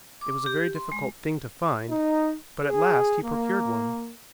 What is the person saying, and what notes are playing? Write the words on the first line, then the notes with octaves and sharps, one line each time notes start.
It was a very difficult thing to find but at last he procured one.
D6
G4
C6
G#3
D#4
G#4
A#3